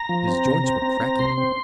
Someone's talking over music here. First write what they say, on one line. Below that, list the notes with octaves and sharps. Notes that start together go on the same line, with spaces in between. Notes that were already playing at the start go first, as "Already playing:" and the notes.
His joints were cracking.
Already playing: A#5
F3
C4
C3
C4
C4
C4
C3 C6
C4